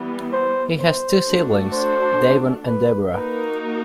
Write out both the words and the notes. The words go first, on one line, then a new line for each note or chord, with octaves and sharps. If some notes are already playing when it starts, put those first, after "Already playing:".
He has two siblings, Davon and Deborah.
Already playing: E3 G3 B3
C5
C5
A3 D4 F#4
C5
B4
A#3 D#4 F#4 A#4 B4